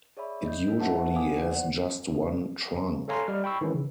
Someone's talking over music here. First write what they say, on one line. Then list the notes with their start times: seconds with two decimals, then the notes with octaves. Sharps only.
It usually has just one trunk.
0.17 G#4 C#5 D5 E5 B5
0.45 D#5 G6
0.68 A4 A#4 D#5
0.80 A4 C5 E5 F#5 A5
1.13 B4 F5 F#5 G#5 D6 D#6
1.49 C5 D5 F#5
3.08 A4 C#5 F5 G#5 A#5 C6
3.28 G3 D#5 F6
3.44 G5 B5 C#6 E6
3.61 D#3 E3 G#3 C#4
3.75 C#3